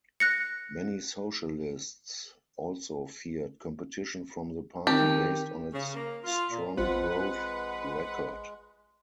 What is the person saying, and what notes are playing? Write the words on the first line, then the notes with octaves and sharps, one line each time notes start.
Many socialists also feared competition from the party based on its strong growth record.
F#6 A#6 C#7
D#3 C4 G4
C#3
A#3
F4
A#2
A1 G#3 C4 F4 B4 F#5